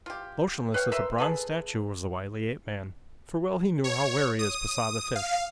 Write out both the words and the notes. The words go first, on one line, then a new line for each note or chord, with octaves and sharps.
Motionless as a bronze statue was the wily ape-man, for well he knew how wary is Pisah, the fish.
F4 G4
B4 C#5 F5 G5
A#4 B4 E5 C6
G#4 A4 B4
C#5
D#6
F5